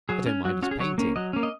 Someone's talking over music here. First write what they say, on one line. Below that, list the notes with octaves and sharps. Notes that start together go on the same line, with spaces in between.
I don't mind his painting.
F#3 G#4
C#4
F#3 F#4
C#4 F#4
G#4
F#3 C#5
A#3 C#4
F#3 D#5
A#3 C#4
D#5